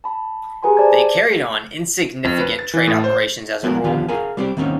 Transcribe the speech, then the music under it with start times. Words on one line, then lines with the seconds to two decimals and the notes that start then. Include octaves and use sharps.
They carried on insignificant trade operations as a rule.
0.04 A5 B5
0.63 G4 G#4 B4 G#5 A#5 C6
0.77 C5 D5 E5 A5 G#6
2.24 F2
2.41 B4
2.59 A6
2.74 E3
2.87 A2
3.04 C5
3.63 F3 G#3 B3 E4 F#4 A#4
3.84 D3 D#3 F3 B3 F4 G4
4.08 G#4 A#4 F5 G#5
4.37 G3 C4 G4 C5 D5
4.57 D#3 A#3 C4 C#4 D#4